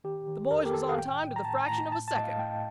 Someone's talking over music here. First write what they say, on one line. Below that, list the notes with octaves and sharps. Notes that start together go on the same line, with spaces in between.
The boys was on time to the fraction of a second.
D#3 G4
D#3
F2 A#4
A4
G4
D#3 A4
F5
A2 G5
A2
A#5
A2 A5
A2 A#5
A2 A5
A5
A2 D#5
F5
A2 G5